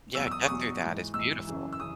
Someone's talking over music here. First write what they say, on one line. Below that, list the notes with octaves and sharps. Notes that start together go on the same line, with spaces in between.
Yeah, get through that is beautiful.
E2 B2 F#3 E6
E6
D#6
C#6
E2 B2 F#3 D#6
G#2 E3
G#2 E3 E6
F#2 C#3 E3
E6
C#3 E3 D#6